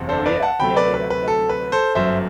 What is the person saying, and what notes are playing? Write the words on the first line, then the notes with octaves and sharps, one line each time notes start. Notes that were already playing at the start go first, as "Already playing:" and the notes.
Oh, yeah. Yeah, yeah, yeah, definitely.
Already playing: F#1 E2 C3
A4 C5
B4 D5
F#5 A5
D2 C3 F#3 A3 G5 B5
B4 D5
B4
B4
A4
B4
A4 C5
G1 F#2 F#3 A3 C5 E5